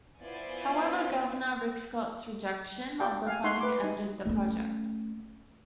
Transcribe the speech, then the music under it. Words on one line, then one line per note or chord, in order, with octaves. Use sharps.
However, Governor Rick Scott's rejection of the funding ended the project.
B3 E4 F4 C5 D5 G#5
G4 D5 G5 A5
F5 G#5
D#4 E5 F#5 C6 C#6
B4 D6
D#4 G#5
A3 C#4